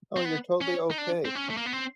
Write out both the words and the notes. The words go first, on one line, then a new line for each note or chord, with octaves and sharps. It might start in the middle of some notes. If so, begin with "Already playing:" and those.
Oh, you're totally okay.
C4
B3
C#4
D#4
D4
C4
C#4
A3
A#3
B3
C4